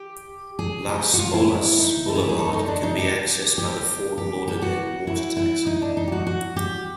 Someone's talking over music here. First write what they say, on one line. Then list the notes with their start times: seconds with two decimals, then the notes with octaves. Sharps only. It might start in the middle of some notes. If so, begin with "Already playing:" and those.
Las Olas Boulevard can be accessed by the Fort Lauderdale water taxi.
Already playing: G4
0.59 G#4
0.89 G4
1.14 F#4
1.19 F4
1.34 E4
1.48 E4
1.79 D#4
2.08 A4
2.15 G#4
2.22 G4
2.29 G#4
2.38 A4
2.53 D#4
2.68 D4
2.83 D#4
2.98 G4
3.58 G4
4.18 G4
4.48 G4
4.62 F#4
5.07 E4
5.37 E4
5.67 D#4
5.82 D4
5.97 D#4
6.08 G4
6.12 F#4
6.27 F#4
6.56 G4